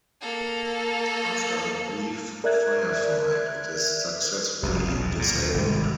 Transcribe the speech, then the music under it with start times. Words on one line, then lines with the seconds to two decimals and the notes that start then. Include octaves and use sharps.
After a brief firefight, it is successfully disabled.
0.21 A#3 A4
2.44 A#4 D5 E5 F#6 G#6
4.63 F1 C2
4.87 B1
5.01 E2
5.19 A#2
5.34 D2
5.54 G#1 C3 G3 G#3